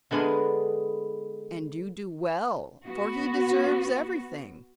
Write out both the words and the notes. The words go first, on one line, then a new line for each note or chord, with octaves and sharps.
'And you do well, for he deserves everything.
D3 G#3 B3 D4 G#4 A#4
B3 F#4